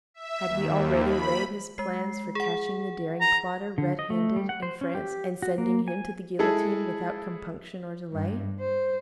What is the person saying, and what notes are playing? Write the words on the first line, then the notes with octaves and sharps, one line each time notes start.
Had he already laid his plans for catching the daring plotter, red-handed, in France, and sending him to the guillotine without compunction or delay?
E5
D#2
B5
G#3 C7
G#4 F#5
A#5
D3
D#5
A3
G3
F#5
C5
C#4
G4
F#4
A#3
G#5
G#3 E4 G#4 A4
G2
C5